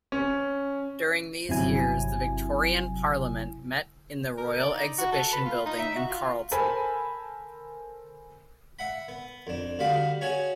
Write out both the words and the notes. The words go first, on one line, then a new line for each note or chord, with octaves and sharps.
During these years the Victorian Parliament met in the Royal Exhibition Building in Carlton.
C#4
G1 C3 F#3 E4 G#5
A#4
D5
D#4
F#4
A4
B4
F4
D#4
E5
F#4
F4
A4 A#4 C5 G#5 A5 B5
E5 F#5 B5
B3
F2 D4
D2 G3 F#4 F5 B5 D6
C#4 F#4 G#4 C#5 G#5 A5